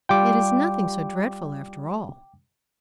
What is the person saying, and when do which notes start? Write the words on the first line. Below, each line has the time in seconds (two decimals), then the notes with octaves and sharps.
'It is nothing so dreadful after all!
0.09 G3 F4 G5 D6